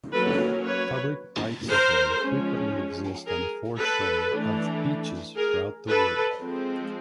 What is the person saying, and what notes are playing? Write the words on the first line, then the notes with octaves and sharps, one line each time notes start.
Public rights of way frequently exist on the foreshore of beaches throughout the world.
F#3 A#3 C#4 A4 B4
B4 C#5
A#4 C5
F3 G#3 C#4
G#4 A#4
A4 B4
E3 A3 D4
G#4 A#4
A4 B4
F3 G#3 C4